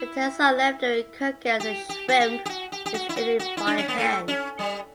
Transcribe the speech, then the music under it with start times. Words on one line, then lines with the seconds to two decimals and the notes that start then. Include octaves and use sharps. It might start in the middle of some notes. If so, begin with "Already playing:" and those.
The tails are left during cooking as the shrimp is eaten by hand.
Already playing: E4
1.60 G4
1.89 G4
2.08 F#4
2.20 G4
2.45 G4
2.49 F#4
2.72 G4
2.86 G4
2.94 F#4
3.09 E4
3.16 F#4
3.39 F#4
3.57 E4
3.67 D4
3.78 C#4
3.88 B3
3.98 A3
4.28 C#4
4.59 G3